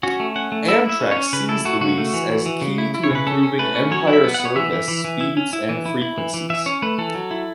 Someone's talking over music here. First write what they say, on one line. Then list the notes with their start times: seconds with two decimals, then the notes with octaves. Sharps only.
Amtrak sees the lease as key to improving "Empire Service" speeds and frequencies.
0.03 C#4 F#4
0.20 A3
0.36 C#4 F#5
0.52 A3
0.68 E4 E5
0.84 E4
0.89 E5
1.00 C#4
1.11 C#5
1.17 C#4
1.33 C#3 B4
1.49 E4 A4
1.65 A3 F#4
1.81 C#3 F#4
1.98 A3
2.14 E3
2.30 E3
2.46 E3
2.62 C#3
2.78 E4
2.94 E4
3.04 C#5
3.11 C#3 B4
3.27 C#4 A4
3.43 C#4
3.59 A3 B4
3.75 C#4
3.91 F#3 C#5
4.07 E4
4.13 E5
4.24 B3
4.34 F#5
4.40 B3
4.45 C#5
4.56 E3 E5
4.72 E3
4.88 E3
5.04 E3
5.21 E4
5.37 C#4
5.53 E4
5.69 E3
5.86 E4
6.02 E4
6.18 E3
6.34 E3
6.50 E3 E5
6.66 C#4 C#5
6.82 A3 B4
6.98 E3 A4
7.15 F#3
7.31 E4